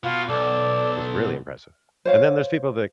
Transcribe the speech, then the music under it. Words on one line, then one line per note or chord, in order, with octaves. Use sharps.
is really impressive. And then there's people that,
B2 F4
B1 A4 D5
C5 C#5 F5